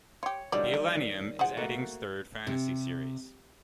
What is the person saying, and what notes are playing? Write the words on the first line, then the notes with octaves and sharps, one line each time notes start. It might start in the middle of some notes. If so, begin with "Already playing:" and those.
"The Elenium" is Eddings' third fantasy series.
F4 G4 C#5
D3 D#3 F#3 G3 F4 D5
A#3
G#4 C5 F#5
A3 A#3 F#4
C3